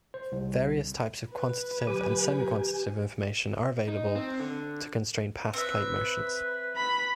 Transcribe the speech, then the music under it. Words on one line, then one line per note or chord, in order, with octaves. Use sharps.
Various types of quantitative and semi-quantitative information are available to constrain past plate motions.
C5
C2
B4
A#2 D3 F#3 G4 G#5
D#4
C4
D3
C4 B4 E5
B5